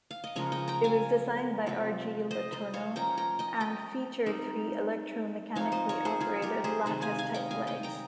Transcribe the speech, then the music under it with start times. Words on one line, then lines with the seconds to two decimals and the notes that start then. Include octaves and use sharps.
It was designed by R. G. LeTourneau and featured three electro-mechanically-operated lattice type legs.
0.11 F5
0.24 D#5
0.36 C#3 F3 G#3 C#4 A#4 C#5
0.52 D#5 G5
0.68 G5 A#5
0.84 F5 G#5
1.66 C3 F3 C4
2.31 C5 D#5
2.52 C5 D#5
2.74 C#5 F5
2.96 F3 A#3 C#4 G5 A#5
3.18 G5 A#5
3.39 D#5 G5
3.60 D#5 G5
4.26 G3 C4 D#4
5.55 F3 C4 D#4 C#5 F5
5.72 C5 D#5
5.89 A#4 C#5
6.05 G#4 C5
6.21 F4 G#4
6.42 G4 A#4
6.64 G#4 C5
6.86 C3 D#3 G3 G#4 C5
7.02 F5 G#5
7.18 F5 G#5
7.34 D#5 G5
7.51 F5 G#5
7.67 D#5 G5
7.83 G5 A#5